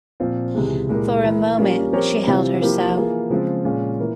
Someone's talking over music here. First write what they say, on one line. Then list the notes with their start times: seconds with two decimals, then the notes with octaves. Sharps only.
For a moment she held her so.
0.20 A#2 F3 C4 F4
0.54 C#2 C3 E3 G#3
0.89 A#2 G#3 E4 G4 A#4
1.23 E3 A#3 E4 A#4 E5
1.58 G3 A#3 C#4 F4
1.93 F3 C4 G4 A#4 C#5
2.27 C3 E3 G3 C4 F4
2.61 F3 A#3 E4 G4
2.95 E3 A#3 F4 G#4
3.30 C#3 F3 G#3 C4 F4
3.65 A#2 G#3 C#4 F4
3.99 E3 A#3